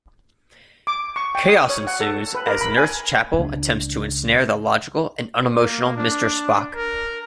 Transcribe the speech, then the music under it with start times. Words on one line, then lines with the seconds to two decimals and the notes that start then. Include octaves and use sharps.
Chaos ensues as Nurse Chapel attempts to ensnare the logical and unemotional Mr. Spock.
0.87 D6
1.16 C#6
1.35 G5
1.49 D#6
1.69 C#5
1.87 F#5
2.01 A4
2.35 B4
2.47 A#4
2.61 B5
2.77 G#5
3.39 C#2 A3 D4
5.57 A#3
5.96 D4
6.75 A#4